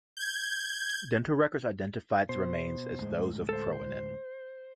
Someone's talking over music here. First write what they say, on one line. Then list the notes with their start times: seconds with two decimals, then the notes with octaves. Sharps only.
Dental records identified the remains as those of Kroenen.
0.17 G6 G#6
2.29 B2 C5
3.00 D2 A2 G#3
3.49 A4 C5
3.73 C5